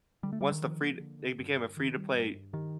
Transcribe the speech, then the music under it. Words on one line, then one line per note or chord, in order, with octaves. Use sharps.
once the free it became a free-to-play
D3 G3
A3
D3 G3
D#3
F3
A#3
D3
D3
G2
G2
D#3
G3
G2
G2
D#3 G4